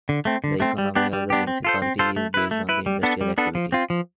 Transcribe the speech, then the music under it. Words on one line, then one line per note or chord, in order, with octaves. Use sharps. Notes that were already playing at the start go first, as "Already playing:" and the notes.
The economy of the municipality is based on the industrial activity.
D3
A3 C4
D3
A3 C4
G3
B3 D4 G4
G3
B3 D4 G4
C4
F4 A4 C5
C4
F4 A4 C5
A3
E4 B4
A3
E4 B4
G3
B3 D4 A4
G3
B3 D4 A4
F3
C4 F4
F3